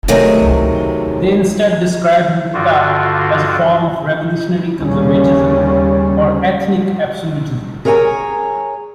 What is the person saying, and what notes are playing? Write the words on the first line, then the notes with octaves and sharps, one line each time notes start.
They instead describe Hindutva as a form of "revolutionary conservatism" or "ethnic absolutism".
C3 D#3 F#3 A3 G#4
G2 D3 F4 F#4
D#2 C#3 G3 C#4
G#4 A#4 C#5 F5 G#5 A#5